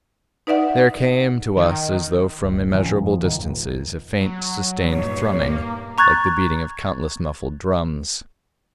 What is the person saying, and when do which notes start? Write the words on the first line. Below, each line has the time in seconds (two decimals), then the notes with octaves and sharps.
There came to us as though from immeasurable distances, a faint, sustained thrumming--like the beating of countless muffled drums.
0.47 D#4 B4 D5 E5 F#5
1.57 D#3
2.43 D1
2.73 A2 D#3 F3 C#4
3.02 F2 F3
3.23 F2 G#2 D#3 G3
3.40 D#1
4.21 F#3
4.90 G2 A#2 D#3 C#5
5.41 A#3 D6
5.98 A#5 C#6 F#6 G#6 A6